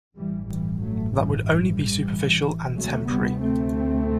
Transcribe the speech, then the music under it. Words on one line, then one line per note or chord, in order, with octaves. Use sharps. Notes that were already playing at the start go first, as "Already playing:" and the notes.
That would only be superficial and temporary.
A1 G2 E3 G3
E3 G3
F#3 A3
E3 G3
E3 G3
D2 C3 F#3 A3
G3 B3
A3 C4